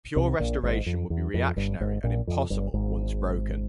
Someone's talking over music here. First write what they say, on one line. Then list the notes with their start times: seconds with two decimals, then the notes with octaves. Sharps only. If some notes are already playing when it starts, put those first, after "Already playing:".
Pure restoration would be reactionary and impossible once broken.
0.16 C2 C3
0.40 A#1 A#2
0.63 G#1 G#2
0.86 F2
1.10 E2
1.34 F2
1.56 G1 G2
1.80 G#1 G#2
2.04 A#1 A#2
2.27 F2
2.50 G1 G2
2.74 G#1 G#2